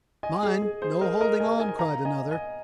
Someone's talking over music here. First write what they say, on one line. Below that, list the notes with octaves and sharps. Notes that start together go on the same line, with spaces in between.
"Mind, no holding on!" cried another.
D#5 G#5
G#4
G#4
G#4 C5
A#4 D#5
A#4 D#5
D#5 G#5
D#5 G#5
F5 A#5
D#5 G#5
D#5 G#5